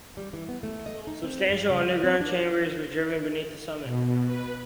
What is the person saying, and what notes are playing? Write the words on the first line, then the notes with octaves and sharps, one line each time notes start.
Substantial underground chambers were driven beneath the summit.
G3
E3
B3
A3
D#5
D#4
C4
G2
C#3
F5
C4
D4
B2
B4